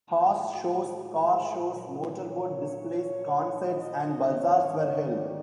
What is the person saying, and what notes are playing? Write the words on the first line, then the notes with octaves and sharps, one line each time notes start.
Horse shows, car shows, motor-boat displays, concerts, and bazaars were held.
A2 F3 G#3
F#4
A#2 F#3
C#5
A#2 F#3
D#5
G#2 D#3 G3 C#5
D5